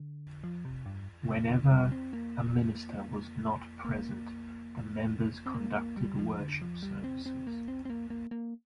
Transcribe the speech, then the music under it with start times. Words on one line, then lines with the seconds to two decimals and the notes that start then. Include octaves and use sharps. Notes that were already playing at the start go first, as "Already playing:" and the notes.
Whenever a minister was not present, the members conducted worship services.
Already playing: D3
0.44 F3
0.65 C3
0.86 G2
1.29 C3
1.49 D3
1.71 G3
1.92 C4
2.13 A#3
3.85 A#3
5.46 C4
5.54 A#3
5.76 A#3
5.97 G3
6.19 F3
6.39 D3
6.62 F3
6.83 G3
7.04 C4
7.26 C4
7.47 A#3
7.68 C4
7.85 C4
7.90 A#3
8.10 A#3
8.31 A#3